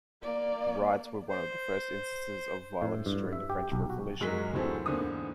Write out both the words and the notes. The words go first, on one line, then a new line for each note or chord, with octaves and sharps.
The riots were one of the first instances of violence during the French Revolution.
A#3 D5
C5
A2
G2
E5
G4
B1
F#4
F#2 F#3 G#3 A#4 B6
D2 E3 F#3 C4 A4
E2 G#2 D3 A#3 C4 D#6